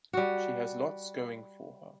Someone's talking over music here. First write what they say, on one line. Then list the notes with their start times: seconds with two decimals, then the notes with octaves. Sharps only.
She has lots going for her.
0.13 G3 F#4